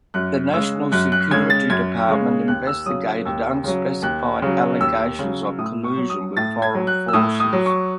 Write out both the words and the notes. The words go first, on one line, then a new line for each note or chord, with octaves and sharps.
The national security department investigated unspecified allegations of collusion with foreign forces.
F#2 F#6
C#3 G#3 E6
F#2 F#6
F#6
C#3 G#3 G#6
A6
F#2 G#6
C#3 G#3
D#2 F#6
E6
C#3 F#3 D#6
D#2 E6
C#3 F#3
D#2 F#6
C#3 F#3
D#2 E6
C#3 F#3
A2 D#6
C#6
F#3
D#6
A2 A6
G#6
F#3
F#6
E6
A2 D#6
D#6
F#3
C#6